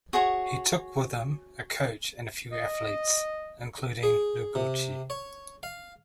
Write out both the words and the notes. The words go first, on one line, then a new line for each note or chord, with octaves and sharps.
He took with him a coach and a few athletes, including Noguchi.
F#4 G#4 C#5 C#6
D#5
G#4
C3
C#5
F5